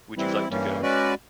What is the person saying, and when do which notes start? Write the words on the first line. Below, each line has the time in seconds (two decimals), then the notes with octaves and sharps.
Would you like to go?
0.16 E3 G3 C4 E4
0.49 G2 E3 G3 A#3 C#4
0.81 G#3 C#4 F#4 B4 D5